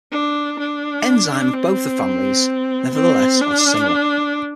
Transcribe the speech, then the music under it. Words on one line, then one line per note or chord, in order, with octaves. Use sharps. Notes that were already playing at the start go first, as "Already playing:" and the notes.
Enzymes of both the families, nevertheless, are similar.
D4
D4
C4
C4
D4